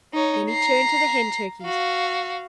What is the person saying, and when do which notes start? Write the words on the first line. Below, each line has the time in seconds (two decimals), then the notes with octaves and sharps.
Then he turned to the Hen Turkeys.
0.14 D#4 C#5
0.50 A#5 C7
1.64 F#4 F5